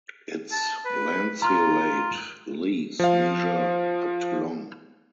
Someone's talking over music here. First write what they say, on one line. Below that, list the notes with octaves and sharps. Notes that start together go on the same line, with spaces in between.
Its lanceolate leaves measure up to long.
A5
B4
F4 A#5 C6 F6
F3 F5